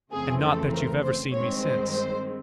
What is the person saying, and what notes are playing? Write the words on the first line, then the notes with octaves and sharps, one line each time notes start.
"And not that you've ever seen me since?"
F2 C#3 E3 A3 C4 G#4
A4
A#4
C5
G2 D#3 G#3 C4 C#5
C5
C5